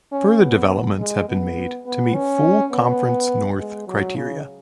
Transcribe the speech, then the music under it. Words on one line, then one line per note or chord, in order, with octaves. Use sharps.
Further developments have been made to meet full Conference North criteria.
C#4
B3
G#3
B3
B3
C#4
B3
G#3
F#3
C#3